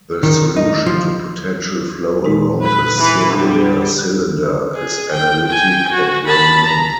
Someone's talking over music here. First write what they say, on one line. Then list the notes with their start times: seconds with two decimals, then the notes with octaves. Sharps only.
The solution to potential flow around a circular cylinder is analytic and well known.
0.23 D#3
0.57 D#4
0.86 F3
2.25 A#2 G#3 D#4
2.62 B4
2.98 E3 B4
3.33 D3 G3 D4
4.75 G#4
5.12 G5
5.47 G5 G#5
5.92 F#4
6.27 A5 B5
6.66 A#5